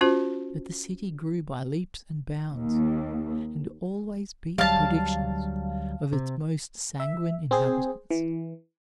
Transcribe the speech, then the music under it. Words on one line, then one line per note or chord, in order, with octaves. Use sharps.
But the city grew by leaps and bounds, and always beat the predictions of its most sanguine inhabitants.
C#4 F4 F#4 C5
D#2
D2 F#3 G3 F5 A5
C3
E5
C4 G#4 C5
E3